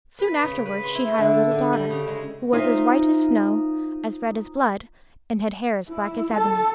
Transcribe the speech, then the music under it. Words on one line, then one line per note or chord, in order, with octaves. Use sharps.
Soon afterwards she had a little daughter, who was as white as snow, as red as blood, and had hair as black as ebony.
B4
C#3
B4
C6
E4
D3
A4
D3
G3
C#3
G#3
D#4 F4 C5 E5
E4
A4